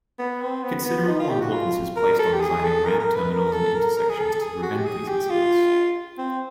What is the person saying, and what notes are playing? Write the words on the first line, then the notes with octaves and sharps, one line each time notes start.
Considerable importance is placed on designing ramp terminals and intersections to prevent these incidents.
B3
C4
B3
B3
D#4
F4
G4
F#4
F4
A#4
A4
G4
G#4
A4
A#4
A#4
B4
A#4
A4
A#4
A#4
G#4
A4
G#4
F#4
G4
G#4
G4
F4
C4